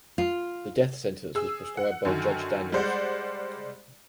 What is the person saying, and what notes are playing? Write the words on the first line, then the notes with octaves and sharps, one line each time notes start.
The death sentence was prescribed by Judge Daniels.
F4
G#4 E6
F#5
F#2 D3 D#3
G3 G#3 C5 D5 F#5